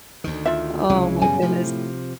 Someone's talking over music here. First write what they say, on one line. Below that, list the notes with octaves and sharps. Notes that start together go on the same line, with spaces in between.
Oh, my goodness.
D2 D#3
F4 E5
C2 C#3 E3 G#3
F#2 B2 G3 G#5
A2 C3 F3